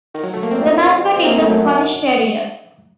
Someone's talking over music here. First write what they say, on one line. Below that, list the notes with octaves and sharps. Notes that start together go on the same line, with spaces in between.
The mascot is a Scottish Terrier.
D#3
F#3
A3
A#3
F#2 C4
A#2
A2
F#2
F2
C4
F#2 A#3
A3
F#3